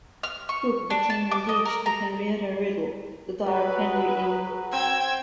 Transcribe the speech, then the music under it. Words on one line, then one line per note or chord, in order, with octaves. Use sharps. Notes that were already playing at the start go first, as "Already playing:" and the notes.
Cooke became engaged to Henrietta Riddle, the daughter of Henry Ainley.
F6
C#6
D4
A5
D6
D#5
A#4
A#5
F#3 F#4 G#4 B4
C4 G5 E6 G#6